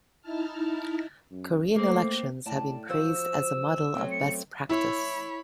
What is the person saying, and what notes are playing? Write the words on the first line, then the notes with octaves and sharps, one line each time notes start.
Korean elections have been praised as a model of best practice.
D#4 E4 A5 F6
F#2
A3 A#3 C4
A2 D5 A5
F3 F#4 C5 E6
F#3 A3 C4
C#7
E4 C#5 B5